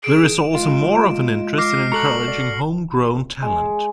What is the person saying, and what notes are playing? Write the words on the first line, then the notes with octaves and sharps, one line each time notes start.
There is also more of an interest in encouraging home grown talent.
G#4 D7 E7
G#3 F4
D6 F6 A#6 C7
F#4 A4 A#5 F#6 C#7 F#7
D5
G#3